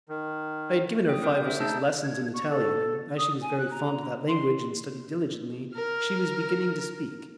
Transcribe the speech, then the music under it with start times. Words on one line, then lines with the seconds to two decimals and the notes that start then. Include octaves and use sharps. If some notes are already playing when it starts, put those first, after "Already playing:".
I had given her five or six lessons in Italian, and as she was very fond of that language and studied diligently she was beginning to speak.
0.09 D#3
1.09 G5 D#6
1.22 C4 A#4 G5 G6
1.44 G#4 C5 E5
1.59 A3 D#4 G#4 A5 E6 G6
2.03 G#6
2.34 C#6
2.50 A4
3.18 D#6
3.42 G#5
3.59 F#6
3.71 A#5
4.28 C6
5.74 A#4 F6